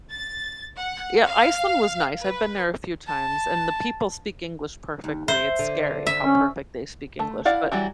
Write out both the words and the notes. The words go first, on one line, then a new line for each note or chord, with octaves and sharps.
Yeah, Iceland was nice, I've been there a few times, and the people speak English perfectly. It's scary how perfect they speak English, but
A6
F#5
F5
B4
A5
D#2
C5 E5
D3
E5
C#4
A3
E4 D5 F5 F#5
E3 F#3 G3 F#4